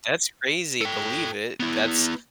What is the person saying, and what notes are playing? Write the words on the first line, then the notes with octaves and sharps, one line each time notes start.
That's crazy, believe it, that's
A4 G5
B3 E4